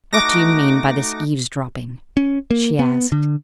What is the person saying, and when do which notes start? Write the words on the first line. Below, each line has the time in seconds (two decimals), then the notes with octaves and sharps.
'What do you mean by this eavesdropping?' she asked.
0.13 A3 D#4 F#4 D6 A#6
2.17 C#4
2.51 A#3
2.79 B3
3.12 D3